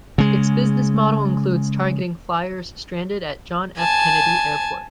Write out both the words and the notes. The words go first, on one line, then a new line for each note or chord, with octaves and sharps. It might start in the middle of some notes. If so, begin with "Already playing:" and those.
Its business model includes targeting flyers stranded at John F. Kennedy Airport.
C#3 G#3
G#5 A5